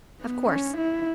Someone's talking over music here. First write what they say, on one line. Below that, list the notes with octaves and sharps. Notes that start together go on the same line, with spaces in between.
"Of course."
B3
C#4
E4